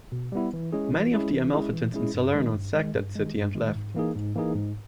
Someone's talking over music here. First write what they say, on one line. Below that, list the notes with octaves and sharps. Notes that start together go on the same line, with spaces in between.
Many of the Amalfitans in Salerno sacked that city and left.
B2
G3 B3 E4
E3
G#3 C#4 E4 G#4
E3
G#3 C#4 E4 G#4
E3
G#3 C#4 E4 G#4
E3
G#3 C#4 E4 G#4
G2
D#3 G#3
G2
D#3 G#3
G2
D#3 G#3
G2
D#3 G#3
G#2
E3 A#3 D#4 G#4
G#2
E3 A#3 D#4 G#4
G#2